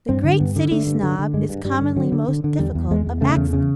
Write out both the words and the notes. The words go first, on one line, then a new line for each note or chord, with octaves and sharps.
The great City Snob is commonly most difficult of access.
G2 C4
D3
G2 B3
D3
D3 A3
G2
D3
D3
G2 G#3
G2
G2 G3
D3
D3 F#3
D3
D3
D3
E2 G3
E2
E2 G#3
E2
C#3 A3
E2
C#3